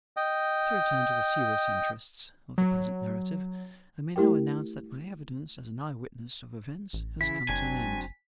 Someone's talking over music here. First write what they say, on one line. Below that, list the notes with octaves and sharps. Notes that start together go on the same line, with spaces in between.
To return to the serious interests of the present narrative, I may now announce that my evidence as an eye-witness of events has come to an end.
D#5 G5
F#3
A3 E4 G4 A#4 G5
A1
C#3 E3 E4 B6
F#1 F#3 C4 D4 G#5